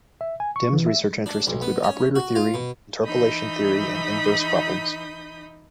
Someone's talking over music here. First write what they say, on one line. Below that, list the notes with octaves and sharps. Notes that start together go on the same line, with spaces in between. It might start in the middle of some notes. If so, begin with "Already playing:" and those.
Dym's research interests include operator theory, interpolation theory, and inverse problems.
E5
G#5
C#6
E3
E5
D4
B1
B3
C#4
F#4
F4
B2
E3 D#4 B5 D#6 G6